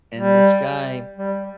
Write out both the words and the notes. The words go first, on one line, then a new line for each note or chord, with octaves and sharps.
and, this guy,
G3
G3